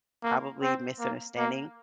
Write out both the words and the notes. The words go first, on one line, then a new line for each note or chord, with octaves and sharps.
probably misunderstanding
A#3
C4
A#3
A#3